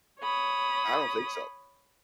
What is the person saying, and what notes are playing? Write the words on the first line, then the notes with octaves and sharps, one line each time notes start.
I don't think so.
C#5 B5 D#6